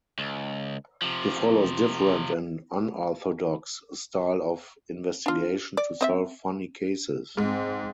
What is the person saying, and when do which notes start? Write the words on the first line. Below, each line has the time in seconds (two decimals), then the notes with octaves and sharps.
He follows different and unorthodox style of investigation to solve funny cases.
0.18 C#2
1.02 C3 F3
5.26 D4 F4
5.77 D5
6.01 C4 D#5 E5
7.37 G#2 G#3 C4